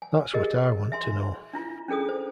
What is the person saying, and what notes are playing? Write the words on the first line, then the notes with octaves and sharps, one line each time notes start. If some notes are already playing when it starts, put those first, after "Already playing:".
That's what I want to know.
G#5
G4 G#4 A#4 D#5
E5 G#5 C6
D4 E4 F4
C#4 D4 G#4 A4 D#6
C5